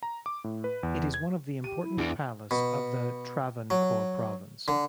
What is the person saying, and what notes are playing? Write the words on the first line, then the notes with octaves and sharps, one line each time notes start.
It is one of the important palace of the Travancore province.
A#5
D6
A2
B4
E2
G#6
G4 D#7
E4
E2 D4 D7
B2
F#3
D3